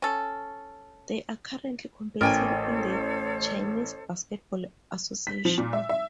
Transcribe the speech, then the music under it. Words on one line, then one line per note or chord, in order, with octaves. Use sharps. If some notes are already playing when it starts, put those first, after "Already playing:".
They are currently competing in the Chinese Basketball Association.
C#4 A4
A1 A4 A#4 C5 C#5 G5 G#5
B6
F3
A#2
E5
E5